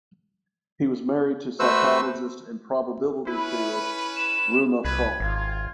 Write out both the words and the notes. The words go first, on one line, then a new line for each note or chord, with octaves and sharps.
He was married to psychologist and probability theorist Ruma Falk.
A3 F#4 B4 C5 E6
C#4 E4 B4 B5
E7
C2 B4 G#6
G#1 F4